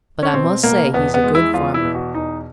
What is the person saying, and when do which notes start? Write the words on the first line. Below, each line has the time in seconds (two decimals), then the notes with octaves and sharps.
But I must say he's a good farmer.
0.23 C#4
0.33 B2 C4
0.63 B2 A#3
0.93 E2 B3
1.14 B3
1.24 G#3
1.35 E4
1.54 E2 F4
1.74 E4
1.85 B2
1.95 F#4
2.15 E2 D#4